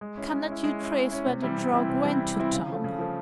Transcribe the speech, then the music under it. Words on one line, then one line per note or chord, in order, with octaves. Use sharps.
"Cannot you trace where the drug went to, Tom?"
G#3
C#4 E4
G#3
C#4 E4
G#3
C#4 E4
G#3
C#4 E4
C3
E3 G3 C4 E4
C3
E3 G3 C4 E4
C3
E3 G3 C4 E4
C3
E3 G3 C4 E4
C#3
F3 A3
C#3
F3 A3